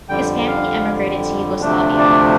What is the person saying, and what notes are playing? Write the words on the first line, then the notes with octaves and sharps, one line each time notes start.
His family emigrated to Yugoslavia.
F2 D3 G3 G5
F5
D2 C3 F3 A3 D4
D5